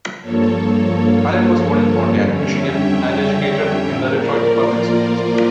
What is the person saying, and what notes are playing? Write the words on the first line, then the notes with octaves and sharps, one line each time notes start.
Allen was born in Pontiac, Michigan and educated in the Detroit Public Schools.
G2 F3 A#3 A4 C#5
F2 D3 G3 C#4
C#5 E5
E5 G5
A2 F3 A#3 C#5 E5
A#4 D5
F4
F4